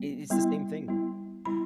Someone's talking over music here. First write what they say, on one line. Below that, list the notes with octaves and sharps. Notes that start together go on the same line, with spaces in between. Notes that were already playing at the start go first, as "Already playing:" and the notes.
It it's the same thing.
Already playing: G3 B3
G3 B3 E4
G3 B3 E4
G3 B3 E4 B5